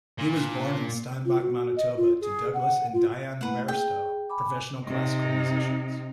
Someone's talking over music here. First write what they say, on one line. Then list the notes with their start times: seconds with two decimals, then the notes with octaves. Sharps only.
He was born in Steinbach, Manitoba, to Douglas and Diane Bairstow, professional classical musicians.
0.18 A#2
0.36 D4
1.25 F4
1.40 F#4
1.76 D#5
1.97 F4
2.21 G#4
2.54 F#5
2.93 F4
3.41 A3 A#3 E4 B4 F#5
3.68 G#4 G5
4.30 G#5 B5 D6
4.85 C3 D#4